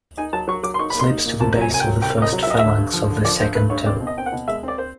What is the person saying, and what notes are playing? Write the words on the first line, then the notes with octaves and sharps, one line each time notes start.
Slips to the base of the first phalanx of the second toe.
D#4 G#5
F#3 A5
F#3 C#6
F#3 D6
C6
D#4 C#6
B5
A#3 C6
D#4
A#2
C2 A5
F#3 G#5
C2 G#5
G5
F#3
C2 G5
C2 D#5
F#3
E5
F#3 D#5
D3 E5
G2
F3
D3
F3 D5
G2 C5
A3 B4
G2 C#5
C4 D5
B2
D#5
C4 G5
F#5
B2
G#3 E5
C4 D5
C5